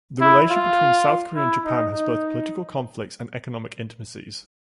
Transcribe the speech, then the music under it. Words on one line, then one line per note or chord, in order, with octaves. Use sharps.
The relation between South Korea and Japan has both political conflicts and economic intimacies.
E4
F4
E4
D#4
D#4